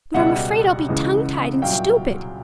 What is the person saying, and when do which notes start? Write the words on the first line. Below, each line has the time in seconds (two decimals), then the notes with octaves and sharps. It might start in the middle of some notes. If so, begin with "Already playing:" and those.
But I'm afraid I'll be tongue-tied and stupid.
0.14 C#2 B2 G3 E5 F#5
0.89 C#2 C#3 E3 G#3
1.62 C2 A#2 F#3 F5 G5